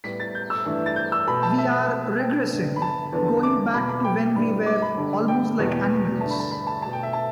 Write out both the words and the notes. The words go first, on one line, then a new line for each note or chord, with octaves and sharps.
We are regressing, going back to when we were almost like animals.
A2 G3 B3 B6
A6
G6
E6
G2 E3 A3
A6
G6
E6
B2 A3 B5
A5
E5
B2 A3
G5
G2 D3 B3
B5
A5
E2 D3 B3
D6
B2 B3 B5
B5
G5
G5
G2 E3 G3 B3 B5
D6
B5
G2 D3 G3
G5
E2 B2 B3
G2 D3 A3 A5
B5
A5
B5
A5
B2 A3 A5
G5
E5
A5